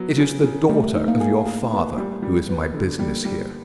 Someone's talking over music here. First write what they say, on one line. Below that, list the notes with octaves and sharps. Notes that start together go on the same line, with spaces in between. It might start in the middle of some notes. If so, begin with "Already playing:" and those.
"It is the daughter of your father who is my business here."
Already playing: F#3 B3
C#3
C#3
G3 A3
D#4
A#3
G#4
G#4
B3
G3
G3
B3
D3
G3 A#3
G3